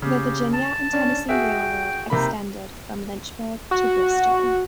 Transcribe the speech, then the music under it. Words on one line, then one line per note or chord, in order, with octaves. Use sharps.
The Virginia and Tennessee Railroad extended from Lynchburg to Bristol.
C#3 G4
A5
C#4 D4
F#4 G#4 E5 G5
C3 A#3 D#4 B5
F#4